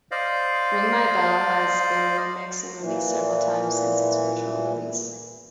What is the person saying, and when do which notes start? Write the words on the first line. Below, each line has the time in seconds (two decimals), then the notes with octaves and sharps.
"Ring My Bell" has been remixed and released several times since its original release.
0.11 C5 D5 D#5 F5
2.78 A#2 E3